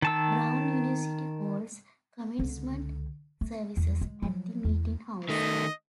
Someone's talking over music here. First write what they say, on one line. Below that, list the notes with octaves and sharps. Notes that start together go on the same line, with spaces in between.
Brown University holds commencement services at The Meeting House.
D#3 A5 E6
C#2 D3
A3
E2
G#3
F3 F#3
E2
D#3 A3 D#5